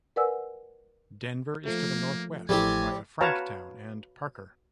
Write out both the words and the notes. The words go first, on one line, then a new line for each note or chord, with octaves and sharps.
Denver is to the northwest via Franktown and Parker.
A#4 B4 D5 F#5 G#5 E6
F3 A3 A#3
A1 F3 G3 A3 C4 E4 G4 G#5
F#4 B4 C#5 F5 A5 A#5